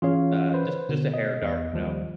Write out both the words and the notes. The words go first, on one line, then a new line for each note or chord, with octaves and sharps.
uh just just a hair dark no.
E3 C#4 F4 G#4 C#5 F5
B4 C5
B2 D3
D#5
E2
D#2 F3 G3